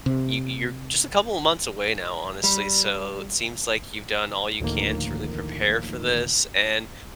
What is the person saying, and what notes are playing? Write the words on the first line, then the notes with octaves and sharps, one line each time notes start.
you you're just a couple of months away now, honestly so it seems like you've done all you can to really prepare for this and
C3
G3
D2 A2 D#3 F3 A#3